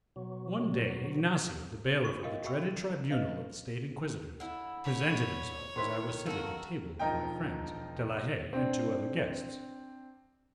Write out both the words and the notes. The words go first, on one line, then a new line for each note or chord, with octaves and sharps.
One day, Ignacio, the bailiff of the dreaded tribunal of the State inquisitors, presented himself as I was sitting at table with my friends, De la Haye, and two other guests.
B2 F#3
F4 F#4 C#6
A#4 D#5 F5 G5
F#4 E5 G5 B5 C#6 E6
B4 D#5 F5
D3 E4
C#5 B5
D#3 E4 B4 C5
F#4 A4 A#4 F5
E1 F3 D#4 A#4 D#5 G5
C4 D4